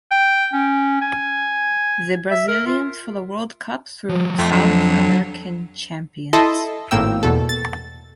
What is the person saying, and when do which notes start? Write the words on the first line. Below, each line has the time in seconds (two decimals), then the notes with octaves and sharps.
The Brazilians for the world cup through South American champions.
0.11 G5
0.53 C#4
1.01 G#5
2.31 E5
2.48 A#4
2.66 F4
4.09 F3 G3
4.38 F2 A3 C5 G5
4.52 D3 F#3
6.33 E4 A4 D#5 E5 A5 C6
6.91 G#1 A2 A#3 G5 E6
7.23 E2 B2 A4
7.49 A6